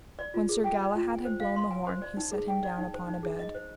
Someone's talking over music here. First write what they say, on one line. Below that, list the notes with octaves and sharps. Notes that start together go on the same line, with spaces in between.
When Sir Galahad had blown the horn he set him down upon a bed.
D5
F4
G#4
G5
D5
F4
G#5
C5
F5
C6
G#5
C5
D5
D#4
G#4
G5
D5
D#4
C5
D#4
G#4
D#5
C5